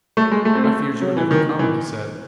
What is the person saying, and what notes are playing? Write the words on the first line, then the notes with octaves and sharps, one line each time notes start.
"I feared you would never come," he said.
A3
G#3
A3
C4
A3
F#3
E3
D#3
E3